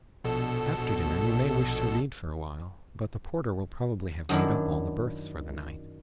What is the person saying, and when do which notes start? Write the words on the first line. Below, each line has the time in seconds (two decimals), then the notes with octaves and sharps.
After dinner you may wish to read for a while, but the porter will probably have made up all the berths for the night.
0.24 A#1 B2 A4
4.29 F#2 D#3 D4 E4